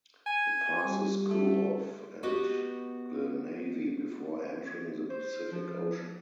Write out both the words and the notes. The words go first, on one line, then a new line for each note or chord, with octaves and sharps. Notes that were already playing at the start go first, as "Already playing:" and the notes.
It passes Kurow and Glenavy before entering the Pacific Ocean.
G#5
G3
A3
B3 F#4 G4 B4 D#5
C5
F3